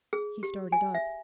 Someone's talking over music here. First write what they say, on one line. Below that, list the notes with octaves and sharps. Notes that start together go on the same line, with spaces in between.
He started up.
G#4
G4
G#5
E5